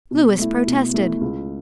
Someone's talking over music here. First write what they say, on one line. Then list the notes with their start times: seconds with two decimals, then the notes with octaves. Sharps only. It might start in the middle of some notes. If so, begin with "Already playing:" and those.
Louis protested.
0.11 B2
0.39 A3 E4
0.67 B2
0.94 A3 E4
1.21 C#2